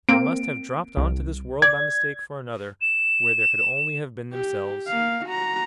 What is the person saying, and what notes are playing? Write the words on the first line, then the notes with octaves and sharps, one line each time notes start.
They must have dropped on to this world by mistake for another, where there could only have been themselves.
A#3 C4 D7
C2
D5 G#6
E7
G4
A#3 F5
F#4 A#5